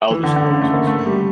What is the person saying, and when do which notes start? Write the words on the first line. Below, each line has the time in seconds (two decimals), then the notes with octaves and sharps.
Elder Scrolls, also.
0.11 E3
0.23 D3
0.36 D3
0.48 C#3
0.61 A3
0.74 A#3
0.87 A3
1.06 G3